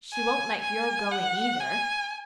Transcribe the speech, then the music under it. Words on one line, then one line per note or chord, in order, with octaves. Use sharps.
"She won't like your going, either."
G#5
G#5
F#5
G#5